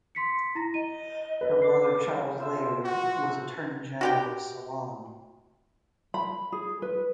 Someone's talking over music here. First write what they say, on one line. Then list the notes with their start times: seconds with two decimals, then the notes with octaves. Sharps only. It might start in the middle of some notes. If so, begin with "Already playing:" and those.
Her brother Charles Layard was Attorney General of Ceylon.
0.15 C6 B6 C#7
0.55 E4 A#5 A#6
0.74 D#5 D#7
1.41 B4
1.62 D6 C7
2.38 F4 C5 E5
2.85 F#4
4.01 F#4 G4 G5
6.14 B5
6.52 G#4
6.82 B4